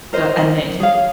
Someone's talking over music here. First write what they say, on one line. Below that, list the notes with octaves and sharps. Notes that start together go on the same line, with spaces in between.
the ending.
A#4 C5 D#5
G#4 C#5 F5